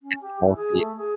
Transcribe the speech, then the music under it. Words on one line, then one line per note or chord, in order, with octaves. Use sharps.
It's healthy,
C#4
G4
E3
G#4
A3
G#4